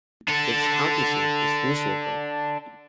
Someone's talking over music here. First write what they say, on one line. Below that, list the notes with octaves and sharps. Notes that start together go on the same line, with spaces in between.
Its county seat is Russellville.
D4 A4